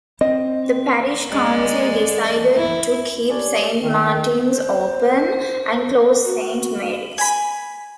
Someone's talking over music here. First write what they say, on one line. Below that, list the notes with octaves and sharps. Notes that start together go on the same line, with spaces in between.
The parish council decided to keep Saint Martin's open, and close Saint Mary's.
C4 D#5
G#3 D5
E4
C#4 D4 G4 C#5 D5
D#3
C5
F#4
G#5 B5